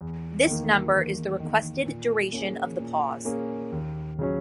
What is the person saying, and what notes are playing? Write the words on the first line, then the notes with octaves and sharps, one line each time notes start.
This number is the requested duration of the pause.
E2
D#3 A#3
E2
D#3 A#3
A#2
A#3 C#4 G#4
A#2
A#3 C#4 G#4
D#2
C#3 F#3 C#4